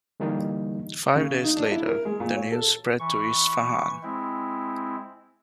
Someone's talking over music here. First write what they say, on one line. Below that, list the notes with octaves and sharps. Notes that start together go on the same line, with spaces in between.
Five days later, the news spread to Isfahan.
D3 E3 G3 A#3 D#4
C#3
D#4
D4
E4
A#4
G#3
A#2
C#5
A4
E3 C#6
G#3 C4 E4